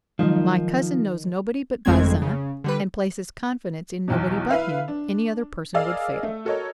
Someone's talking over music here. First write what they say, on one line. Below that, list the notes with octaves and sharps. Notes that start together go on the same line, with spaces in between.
My cousin knows nobody but Bazin, and places confidence in nobody but him; any other person would fail.
D#3 F3 F#3 G#3 D#4
G1 F2 G#3 A3 C4 G#6
C#3
D3 G3 B4
B1 E2 B2
E4 B4 E5 F5
D4
G#4 A#4 D5 D#5 F5 E6
A3
F#4 A4 A#4 C#5 D#5